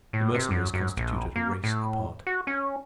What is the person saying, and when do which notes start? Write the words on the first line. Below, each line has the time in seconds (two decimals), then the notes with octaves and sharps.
The Mercenaries constituted a race apart.
0.13 A2
0.34 C3
0.51 F#2
0.74 F#2
0.97 A#1
1.36 A#3
1.64 A2
2.27 F#4
2.47 C#4